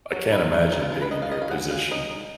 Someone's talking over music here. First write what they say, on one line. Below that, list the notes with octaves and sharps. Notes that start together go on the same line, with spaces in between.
I can't imagine being in your position.
F#3
D#4 B4
D#4
G#3 A#4
F4
G#3 F4
B4
D#3 D#5
F5
D#3 D#5
F5
G#3 F#5
G#3 F5
D#4 D#5
D#4